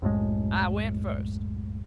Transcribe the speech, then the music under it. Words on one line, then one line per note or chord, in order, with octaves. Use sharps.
I went first.
C2 F#2 A2 G#3